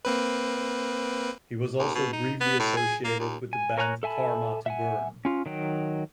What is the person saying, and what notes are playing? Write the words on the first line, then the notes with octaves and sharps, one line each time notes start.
He was also briefly associated with the band Karma to Burn.
A#3 C4 B4
D#2
B2
D#4
B3
A2
G#4
A#3
D#2
G#5
A#4 C#5 G#5 A#5 F#6
A4 E5 G#5 A5 B5
E5 F#5 G#5
C#4 F4
D#3 F#3 G5